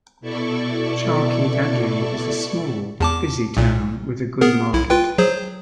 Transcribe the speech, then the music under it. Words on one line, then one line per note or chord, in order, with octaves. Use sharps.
Charkhi Dadri is a small but busy town with a good market.
B2 E4 A4 D5 C#6
E2 A5 D6
B1 A#2
B3 G#4 A#4
B1 E4
F4 B4 G5
F#3 G#4 C5